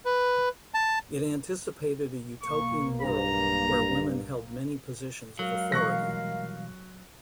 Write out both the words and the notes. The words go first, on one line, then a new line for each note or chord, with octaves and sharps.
It anticipated a utopian world where women held many positions of authority.
B4
A5
B1 A#3 C#6
G2 A#5
F#3 G#3 A#4 F5
B2 E3 G3 C#6 F#6 A#6